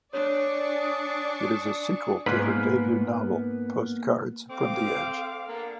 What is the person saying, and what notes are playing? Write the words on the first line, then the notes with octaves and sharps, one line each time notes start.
It is a sequel to her debut novel "Postcards from the Edge".
D4 C#5 D5 G#5 C#6 D#6 F#6
G#2 A#3 B3 B4
C4 A4 D#5 F5 D6
A#3 B3 D4